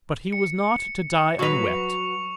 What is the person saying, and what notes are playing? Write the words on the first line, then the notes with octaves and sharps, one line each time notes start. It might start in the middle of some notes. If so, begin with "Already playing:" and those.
But he was not to die unwept.
C#7
F#3 B4 C#6 F7